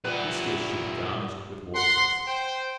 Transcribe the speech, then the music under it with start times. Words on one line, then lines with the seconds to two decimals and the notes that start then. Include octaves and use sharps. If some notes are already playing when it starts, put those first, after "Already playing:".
This dish should be garnished with water-cresses.
0.04 A#2 G3 B3 E4 B4
1.75 F#5 C6
2.26 C5 G5